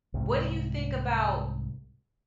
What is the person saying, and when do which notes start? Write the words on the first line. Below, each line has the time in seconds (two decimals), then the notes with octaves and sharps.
What do you think about
0.14 C2 G#2